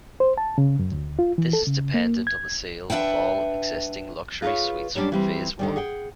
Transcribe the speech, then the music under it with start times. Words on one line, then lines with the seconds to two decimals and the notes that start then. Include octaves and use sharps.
This is dependent on the sale of all existing luxury suites from phase one.
0.20 C5
0.38 A5
0.58 C#3
0.79 F#2
0.92 D2
1.19 F4
1.38 E3
1.53 A4
1.67 C#3
1.94 A#3
2.27 G#6
2.90 D4 B4 E5 F#5 G5
4.42 F4 G#4 A4 B4 C#5
4.95 F#3 G3 C#4 D4
5.12 E3 G3 C4
5.59 D3 D#3 G3
5.76 G#4 F#5 G5